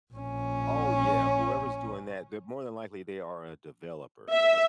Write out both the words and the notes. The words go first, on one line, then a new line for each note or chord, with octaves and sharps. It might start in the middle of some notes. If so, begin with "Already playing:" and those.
Oh, yeah. Whoever's doing that, they're more than likely, they are a developer.
A#1 C#4
E5